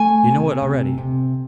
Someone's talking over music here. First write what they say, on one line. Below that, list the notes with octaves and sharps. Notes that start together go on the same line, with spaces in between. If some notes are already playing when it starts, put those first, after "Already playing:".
You know it already.
Already playing: A3 G#5
C3
C3
C3